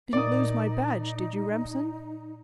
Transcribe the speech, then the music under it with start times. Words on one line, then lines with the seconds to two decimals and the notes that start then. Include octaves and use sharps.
Didn't lose my badge, did you, Remsen?
0.13 A#2 D#4 D5 D#6